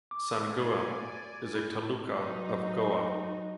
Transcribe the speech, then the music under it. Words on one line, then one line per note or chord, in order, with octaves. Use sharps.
Sanguem is a taluka of Goa.
D6
D5 G#5
E4
F#3 D#4 F#4